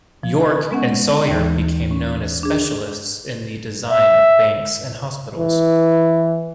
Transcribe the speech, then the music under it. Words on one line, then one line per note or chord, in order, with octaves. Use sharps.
York and Sawyer became known as specialists in the design of banks and hospitals.
F3
G#3 B3 C#4 F#5
D#2 E3
C#4
D4 G#4
E5
E3